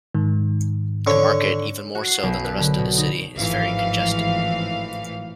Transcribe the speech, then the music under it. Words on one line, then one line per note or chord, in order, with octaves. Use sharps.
The market, even more so than the rest of the city, is very congested.
G#2 D#3
D3 C#5
F#4
C7
B1
B4
D3
B2
D#4
G#1 A2 E3 F3 F5